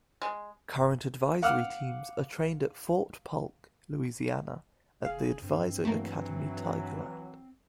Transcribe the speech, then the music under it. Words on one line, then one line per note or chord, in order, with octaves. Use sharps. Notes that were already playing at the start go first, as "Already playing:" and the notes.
Current Advisory Teams are trained at Fort Polk, Louisiana at the Advisor Academy, Tigerland.
G#3
F5 F#5 D6 E6 F6
F1 G#4 F5
G2 C4
E3 F#3 A3 A#3